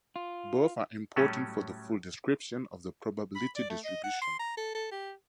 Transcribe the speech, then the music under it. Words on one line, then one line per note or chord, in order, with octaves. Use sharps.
Both are important for the full description of the probability distribution.
F4
A2 F#3 G3 A3 C#4
B5
D5
A3
D#5
F#5
C6
A#5
A4
A4
G4